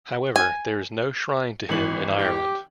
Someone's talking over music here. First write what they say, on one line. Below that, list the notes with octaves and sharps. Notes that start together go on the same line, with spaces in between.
However, there is no shrine to him in Ireland.
G#5
G#1 E3 F#7
G4